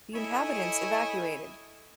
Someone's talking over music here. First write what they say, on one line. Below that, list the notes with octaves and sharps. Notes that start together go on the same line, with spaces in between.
The inhabitants evacuated.
E4 A4 C#5 D#5 G#5